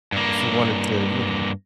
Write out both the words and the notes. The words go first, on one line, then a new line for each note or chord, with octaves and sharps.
if you wanted to, you know
G2 A#3